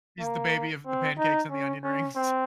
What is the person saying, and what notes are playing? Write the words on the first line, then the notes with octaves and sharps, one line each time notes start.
She's the baby of the pancakes and the onion rings.
A#3
C4
D#4
C#4
C#4
C4